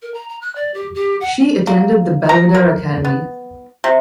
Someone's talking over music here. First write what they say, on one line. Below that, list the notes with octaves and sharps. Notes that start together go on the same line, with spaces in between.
She attended the Belvedere Academy.
A#4
A#5
A#5
F#6
D5
G4
G4
F#5
A#3
A#5
A#4
B3
C3